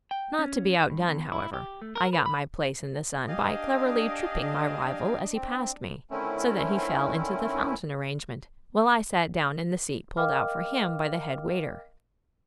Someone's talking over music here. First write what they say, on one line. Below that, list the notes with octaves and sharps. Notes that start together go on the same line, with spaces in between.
Not to be outdone, however, I got my place in the sun by cleverly tripping my rival as he passed me, so that he fell into the fountain arrangement, while I sat down in the seat pulled out for him by the head waiter.
G5
C#4
G2
E2
E4
G4
A3
A#4
B4
B5
D4 G4 D#5 F5 G#5
C4
D3 D#3 A3 C4 C#4 E4
A#4 D#5 F5 G5 D6 F6